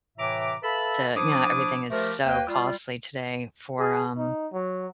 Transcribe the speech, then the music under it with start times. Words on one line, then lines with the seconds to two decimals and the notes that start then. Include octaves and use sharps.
to you know, everything is so costly today for, um,
0.18 A2 C3 E3 E5 A#5 D6
0.62 A4 B4 E5 F5 A5 B5
1.15 F3 D4 E4 D6 D#6
1.90 F3 A3 G4 A#4
2.25 D#2 A#3 B4 G5
2.48 G3 F4
3.80 G#4
4.17 D#4
4.53 F#3